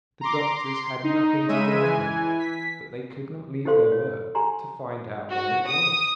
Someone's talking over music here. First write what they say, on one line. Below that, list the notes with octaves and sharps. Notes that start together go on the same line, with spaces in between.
The doctors had nothing to work with, but they could not leave their work to find out why it was.
A#5 C6 D6
C6
D#4
C#3 G#3 E5 D#7
E3 G#5
B6
E4 G4 A4 C5 F5 C6
C#5
G4 G#5 A#5 C6
F#4
D#6